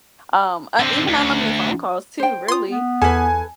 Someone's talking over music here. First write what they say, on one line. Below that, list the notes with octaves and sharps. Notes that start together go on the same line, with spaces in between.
um, uh, even unlimited phone calls too, really,
D3 C4
D2
C5 G5
F4 C6 D#6
B3
E2 A4 B4 G#5